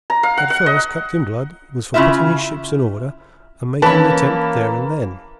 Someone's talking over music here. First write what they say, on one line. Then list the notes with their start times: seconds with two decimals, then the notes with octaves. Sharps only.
At first Captain Blood was for putting his ships in order and making the attempt there and then.
0.10 A#5
0.23 F5
0.37 F#5
0.50 F#5
0.66 D#5
1.94 C#3 C#4 E4 F4 E5
3.82 E3 A#3 C#4 B4 A5 B5